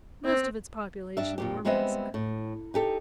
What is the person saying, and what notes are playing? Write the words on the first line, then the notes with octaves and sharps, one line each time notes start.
Most of its population were massacred.
C4
G2 D4 E5
F2 A#2 G4
G3 G#3 B3 C4 D#5 E5
A2
D#4 G4 A4